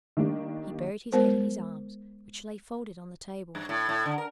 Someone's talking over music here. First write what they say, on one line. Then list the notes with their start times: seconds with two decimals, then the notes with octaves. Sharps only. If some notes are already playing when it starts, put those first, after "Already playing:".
He buried his head in his arms, which lay folded on the table.
0.17 D#3 G3 A#3 D4
1.12 G#3 B3 A#4 C5
3.55 G2
3.69 A2
3.89 A2
4.06 D3
4.18 A#4